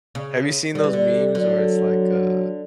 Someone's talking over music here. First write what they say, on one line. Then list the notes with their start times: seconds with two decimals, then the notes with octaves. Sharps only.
Have you seen those meme's where it's, like, uh
0.15 C#3
0.75 D3 G3
0.84 E3
0.93 D3
1.35 D3 F#3